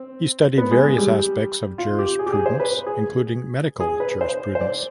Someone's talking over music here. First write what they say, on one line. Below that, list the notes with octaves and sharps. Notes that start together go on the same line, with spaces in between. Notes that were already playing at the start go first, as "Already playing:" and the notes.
He studied various aspects of Jurisprudence including Medical jurisprudence.
Already playing: C4
B3
G#3
G#3
G3
F4
G4
G#4
G4
G#4
C5
B4
G#4
G#4
B4
C5
C5
D5